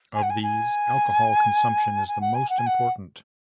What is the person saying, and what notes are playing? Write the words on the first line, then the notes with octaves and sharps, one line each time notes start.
Of these, alcohol consumption is the most important.
G#5
F#5
G#5
G#5
G#5
F#5
G#5
F#5
G#5
F#5